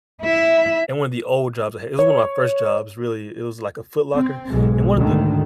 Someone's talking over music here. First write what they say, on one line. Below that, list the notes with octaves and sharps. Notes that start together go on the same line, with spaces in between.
in one of the old jobs I had- It was one of my first jobs, really.- It was, like, a Foot Locker, and one of the
E4 E5
C#5
C4
B1 G#2 G#3
D2 G#2 D3 D#3